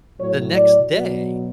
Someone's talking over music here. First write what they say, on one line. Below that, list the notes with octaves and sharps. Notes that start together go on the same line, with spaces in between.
the next day,
A2 F#3 C#5
D5
B2 F#3